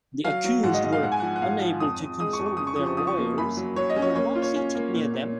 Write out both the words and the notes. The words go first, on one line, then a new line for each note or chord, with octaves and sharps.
The accused were unable to consult their lawyers, who were not seated near them.
F#3 F5
F#3
G#2 F#5
D#5
G#2 D#5
F5
G#2 F#5
G#5
F3 F#5
F#5
G#2 F5
F3
F2 D#6
F2
G#3 D#6
C#6
F2
C#6
C#3 D#6
C#6
F3 D#6
C#6
F3 D#6
C#6
A#3
F#2 B5
F#3
F#3 C#5
D#5
C#4
C#5
A#3 C#5
F4
C#5
C#4
A#3
A#2
A#2